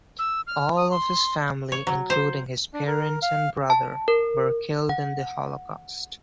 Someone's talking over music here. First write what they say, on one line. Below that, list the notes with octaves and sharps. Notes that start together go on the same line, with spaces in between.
All of his family, including his parents and brother, were killed in the Holocaust.
E6
F6
D#6
C6
C#5
F#3
C5
D4
A#4
F5
A5
A#4
F#5